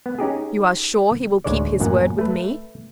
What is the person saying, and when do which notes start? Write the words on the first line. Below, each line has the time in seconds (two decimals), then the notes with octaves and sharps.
"You are sure he will keep his word with me?"
0.06 B3
0.19 C#4 D#4 G4 G#4
1.44 A1 D2 G#3 C#5 D5
1.80 A1 F#2 A#2 F#5
2.18 A3 B4